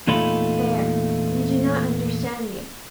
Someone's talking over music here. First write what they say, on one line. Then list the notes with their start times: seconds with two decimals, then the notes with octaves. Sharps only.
There--you do not understand me.
0.07 E2 A#2 A3 D#4 F4 B5